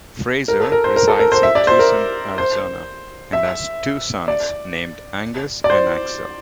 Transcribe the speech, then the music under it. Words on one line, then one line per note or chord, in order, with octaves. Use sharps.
Fraser resides in Tucson, Arizona and has two sons named Angus and Axel.
A#4
A4
A#4
C5
A#4
A4
A#4
C5
E5
D5
C5
A#4
C5
E5
D5
D5
C5